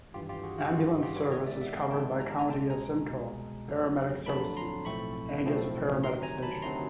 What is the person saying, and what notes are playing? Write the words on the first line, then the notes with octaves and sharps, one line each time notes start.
Ambulance service is covered by County of Simcoe Paramedic Services Angus Paramedic Station.
G#1 G2 E3 F4 G4
F4 G4
F#4 G#4
F#4
G#1 G2 E3 F4
F#4
F4 G4
B4 C#5
G#2 D#3 G#3 B3 C#5 D#5
D5 E5
E5 F#5
F5 G5
G#2 D#3 G#3 B3 G5 A5
A#5
A5
G#5 A#5
C2 B2 G#3 G5 A5
G#5 A#5
C2 B2 G#3
F2 D3 F#3 A3
F2 D3 F#3 A3 A5 B5
A#5 C6
B1 A2 F3 A3 C4 B5 C#6
B1 A2 F3 A3 C4
D2 C3 D#3 F#3 A#5 C6
G#5 A#5
A5 B5
D2 C3 D#3 F#3 A#5 C6